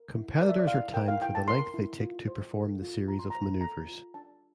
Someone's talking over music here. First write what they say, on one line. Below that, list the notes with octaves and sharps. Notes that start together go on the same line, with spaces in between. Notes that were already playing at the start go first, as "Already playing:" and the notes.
Competitors are timed for the length they take to perform the series of maneuvers.
Already playing: A#4
E4
A#4 D5
E5
D5
E4 F5
A#4 G5
F5
E4 G5
A5
A#4 C6
E4
F4
C5
A4
F4
F4 A#5
C6
C5 A#5
A4 A#5
F4
D4 A5